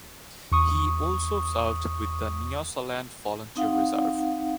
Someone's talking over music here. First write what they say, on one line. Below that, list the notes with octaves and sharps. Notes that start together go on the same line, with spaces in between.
He also served with the Nyasaland Volunteer Reserve.
E2 C#6 D#6
C4 D#4 F5 F#5